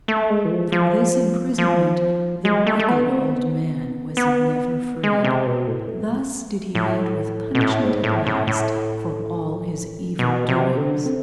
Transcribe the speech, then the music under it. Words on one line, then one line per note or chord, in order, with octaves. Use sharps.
From this imprisonment the wicked old man was never freed. Thus did he meet with punishment at last for all his evil doings.
A3
G#3
E3
F3
F3
F3
G#3
A3
A3
B3
C4
B3
B3
G#3
C3
B2
A2
A2
B2
A2
G#2
A2
A2
A2
B2
C3
D3
C4